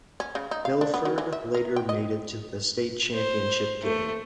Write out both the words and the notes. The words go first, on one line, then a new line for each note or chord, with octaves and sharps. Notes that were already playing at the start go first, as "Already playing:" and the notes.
Milford later made it to the state championship game.
C#4
C#3
D#4
F5
D4
B3
F#3
E3
E5
A#4
G5
D#5
C5
A3